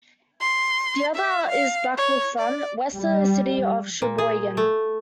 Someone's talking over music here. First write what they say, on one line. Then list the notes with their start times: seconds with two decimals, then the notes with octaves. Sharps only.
The other is Blackwolf Run, west of the city of Sheboygan.
0.41 C6
1.15 E5
1.49 F5
1.97 C#5
2.38 D5
2.93 G3
4.02 A#2
4.18 G#4
4.57 A3